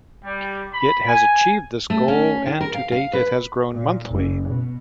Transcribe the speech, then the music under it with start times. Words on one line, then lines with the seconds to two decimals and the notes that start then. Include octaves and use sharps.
It has achieved this goal and to date it has grown monthly.
0.25 G3
0.73 B5
1.08 G#5
1.90 A3
2.08 C#4
2.46 D#3
2.61 A#4
2.74 F5
2.92 F5
3.13 B4
3.72 A#2
4.11 F#1
4.46 B2